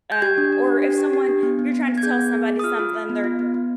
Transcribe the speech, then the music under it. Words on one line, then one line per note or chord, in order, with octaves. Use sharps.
um, or if someone you're trying to tell somebody something, they're
G6
G4 G#6
D4
G4
D4
G4
G4
G4
D4
B3
B3
B3
B3
G#6
G#4 G6
B3
G#4
G#4
D#6
F4 F6
F4
F4
B3
F4
B3
B3